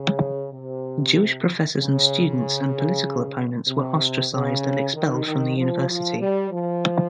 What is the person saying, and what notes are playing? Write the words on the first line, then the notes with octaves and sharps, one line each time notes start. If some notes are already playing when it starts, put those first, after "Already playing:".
Jewish professors and students and political opponents were ostracized and expelled from the university.
Already playing: C#3
C3
C#3
C3
C#3
D#3
D#3
F3
F3
G3
F3